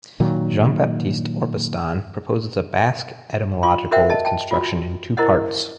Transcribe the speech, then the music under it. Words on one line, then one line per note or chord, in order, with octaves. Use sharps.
Jean-Baptiste Orpustan proposes a Basque etymological construction in two parts.
A#2 D#3 F#3
F4 C6
F#4 A#4 C5 E5 F#5 G5
D#5 A5
G5 A5
F4 F#4
E4 A#4 C5 D#5 F#5